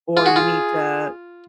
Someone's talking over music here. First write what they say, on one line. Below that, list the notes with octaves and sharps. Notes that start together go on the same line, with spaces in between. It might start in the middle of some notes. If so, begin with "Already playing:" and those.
or you need to,
F4 G#4
F#4
F4